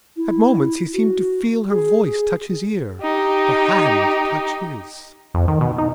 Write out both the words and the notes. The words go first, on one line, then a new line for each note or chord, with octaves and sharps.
At moments he seemed to feel her voice touch his ear, her hand touch his.
E4
F#4
G#4
G#4
D#4 G4
F2
D#3
B2
D#4